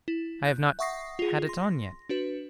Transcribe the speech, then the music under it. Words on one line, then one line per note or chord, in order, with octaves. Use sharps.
I have not had it on yet.
E4
F#6 G6
E5 F#5 C#6 D#6 A#6 C7
F4 G#4
C6 A#6
D4 F#4 B4